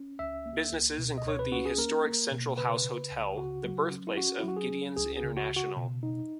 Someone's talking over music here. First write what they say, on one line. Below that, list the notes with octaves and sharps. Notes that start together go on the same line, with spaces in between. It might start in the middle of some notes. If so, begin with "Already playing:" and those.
Businesses include the historic Central House Hotel, the birthplace of Gideons International.
Already playing: C#4
C#2 E5
A#3
C#2
B2
D#5
C#2 C#5
B4
C#4 F#4
G#4
A#3 A#4
A#3
B2
C#3 B4
C#3
C#2
C#3 F#4
F#3
C#4
E4
C#4 F#4
E4
F#3 F#4
G#4
C#4
C#2 G#4
G#4
C#3
F#4
C#3
F#4
B2
D#4